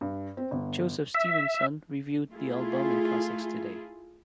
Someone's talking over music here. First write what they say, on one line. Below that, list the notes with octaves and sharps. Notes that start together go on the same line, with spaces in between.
Joseph Stevenson reviewed the album in "Classics Today".
G2
C4
G1
E5
A3 E4 F4 G#4